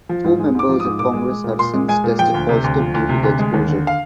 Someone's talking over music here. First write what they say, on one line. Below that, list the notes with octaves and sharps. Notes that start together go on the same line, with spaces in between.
Four members of Congress have since tested positive due to the exposure.
F3
G#2
G#3
G#2 D6
F3
D#6
G#2
A#2 D6
G#3
G#3
A#2
A#2 C6
G#3
G#3 G#5
A#2
F3 G5
D2
C3
D2
F3
D2
C3
D2
G#3
D#2
D3
F5